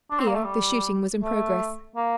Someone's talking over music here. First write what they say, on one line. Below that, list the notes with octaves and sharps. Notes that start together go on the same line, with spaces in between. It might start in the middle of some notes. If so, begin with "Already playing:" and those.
Here the shooting was in progress.
D4
C4
A#3
A3
G3
A3
A#3